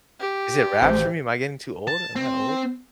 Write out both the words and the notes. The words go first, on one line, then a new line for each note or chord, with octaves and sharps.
"is it wraps for me? Am I getting too old? Am I old?"
G4
A1 C5
A5
C4